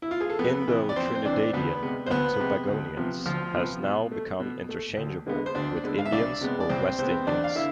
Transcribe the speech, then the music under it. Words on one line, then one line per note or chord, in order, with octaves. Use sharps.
Indo-Trinidadian and Tobagonians has now become interchangeable with Indians or West Indians.
E4
F4
G#4
A4
F2 B3 B4
C3 E3
D5
F2 C4 C5
C5
C3 E3 D4 D5
D2 B3 B4
C3 G#3 B3
C5
D2 B3 B4
C3 G#3 B3
D2
C3 F3 B3
D2 F3 F4
C3 F3 B3
B2
A3
B2
A3
D2
D3 G#3 B3
C5
D2 D4 D5
D3 G#3 B3
F5
E5
C2 D4 D5
C3 G#3 B3
D5
C2 C4 C5
C3 G#3 B3 C4 C5
E2 D4 D5
F5
D3 E4 E5